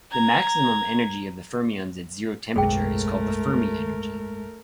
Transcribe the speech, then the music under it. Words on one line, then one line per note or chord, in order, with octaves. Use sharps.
The maximum energy of the fermions at zero temperature is called the Fermi energy.
A#5 G#6
F#1 B1 G#2 A3 G#4 A#4 G5